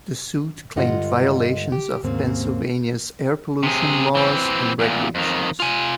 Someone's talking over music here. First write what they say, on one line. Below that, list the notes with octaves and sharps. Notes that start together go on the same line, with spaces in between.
The suit claimed violations of Pennsylvania's air pollution laws and regulations.
G2 D3 G#3 F4 D#5 F#5
G4
D#2 G#2 C#3 A#3 C4
C3 G#4
E3 C4
E2 A#2
F2 D#3
F4 G#5